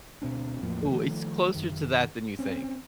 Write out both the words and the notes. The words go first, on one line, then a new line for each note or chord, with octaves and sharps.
Ooh, it's closer to that than you think.
D2 B2 C4 D4
E2 A2 F3 A#3
D#3 F3 A3
F#2 D#3
C4 C#4